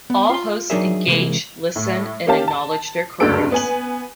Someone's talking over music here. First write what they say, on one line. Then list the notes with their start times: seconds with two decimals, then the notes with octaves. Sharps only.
All hosts engage, listen and acknowledge their queries.
0.10 B3
0.30 F4 C6
0.70 F#3 D4 D#4 G#4 A#4 E5
1.07 C3 E3 G#3 A#3
1.76 A2
2.27 A#3 C#4 G4 F5 A5
2.48 A5
3.20 F#1 D2 G2 F#4 A4 D7
3.52 B3 G#5 F#7